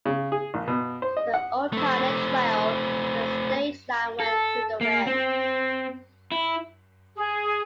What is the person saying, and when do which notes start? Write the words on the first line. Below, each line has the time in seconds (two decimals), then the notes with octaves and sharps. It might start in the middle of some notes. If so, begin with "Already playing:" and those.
The old pioneer trail and the stage line went through their ranch.
0.05 C#3
0.32 G#4
0.54 A#1
0.68 B2
1.02 C5
1.17 D#5
1.34 F#5
1.73 A3 C4
4.20 A4
4.81 A#3
5.07 C4
6.32 E4
7.17 G#4